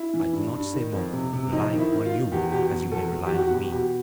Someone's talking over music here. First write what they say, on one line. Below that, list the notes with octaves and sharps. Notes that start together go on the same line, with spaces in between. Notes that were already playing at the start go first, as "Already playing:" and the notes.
I do not say more, relying on you as you may rely on me.
Already playing: E4
E3
G2
G2
D#3
F2
C3
C3
F2 D#4
D#3
E4
D#3
F4
D#3
E2 G4
B2 G4
B2
E2 A4
E2
G4
E2 F#4
F#4
B2 G4
B2 G4